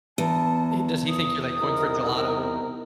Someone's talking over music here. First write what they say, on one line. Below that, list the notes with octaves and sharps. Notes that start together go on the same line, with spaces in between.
Eh, does he think you're, like, going for gelato?
E2 A5
D#6
C2 D#4 A#4